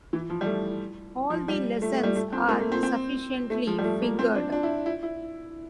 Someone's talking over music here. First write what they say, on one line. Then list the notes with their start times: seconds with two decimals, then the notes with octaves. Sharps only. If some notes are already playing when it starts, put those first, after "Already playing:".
All the lessons are sufficiently fingered.
0.13 E3
0.30 F3
0.41 G3
0.46 A3
1.30 F3
1.48 G3
1.82 A3
1.93 A3
2.03 G3
2.16 A3
2.33 C4
2.49 A#3
2.60 A3
2.72 C4
2.83 C4
3.50 A3
3.67 F3
3.78 G3
3.84 A3
4.02 A#3
4.19 C4
4.35 D4
4.52 D4
4.63 E4
4.86 E4
5.03 E4